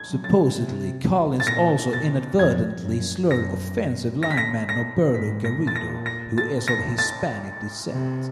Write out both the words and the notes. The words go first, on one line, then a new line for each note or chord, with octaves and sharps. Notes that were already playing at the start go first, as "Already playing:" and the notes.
Supposedly, Collins also inadvertently slurred offensive lineman Norberto Garrido, who is of Hispanic descent.
Already playing: G#6
F#3
A6
C3
A6
A#2 A#6
B2 A6
F2 G#6
F#2
F#2 A#6
A#6
B6
A#6
A#6
G#2 B6
A#6
A#2
A6
A#6
A#6
A6
A#6
A6
C3